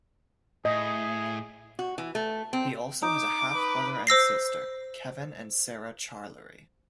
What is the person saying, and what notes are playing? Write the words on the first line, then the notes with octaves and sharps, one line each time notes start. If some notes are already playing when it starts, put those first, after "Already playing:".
He also has a half brother and sister, Kevin and Sarah Charlery.
A2 G#4 D#5
F#4
E3
A3
C4
D#4 D6
B4
C5 E6 A#6 C7